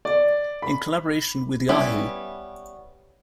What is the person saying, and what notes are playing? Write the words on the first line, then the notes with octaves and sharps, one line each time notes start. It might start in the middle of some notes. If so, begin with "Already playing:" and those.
In collaboration with Yahoo!
D5
B5
G3 B3 C#4 E4